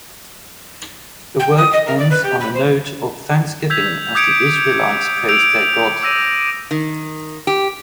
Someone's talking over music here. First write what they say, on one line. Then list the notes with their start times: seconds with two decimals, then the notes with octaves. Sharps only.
The work ends on a note of thanksgiving as the Israelites praise their God.
1.39 G5
1.56 D#6
1.72 D#5
1.85 A#4
1.97 D5
2.10 B4
2.23 G4
2.39 B5
2.54 C5
3.70 E6 G6 G#6 B6 F7
4.15 D6 D#6 G6 G#6 C#7 D7
5.29 E6 G6 D7 F7
6.02 D6 E6 A#6 D#7
6.71 D#3
7.47 G4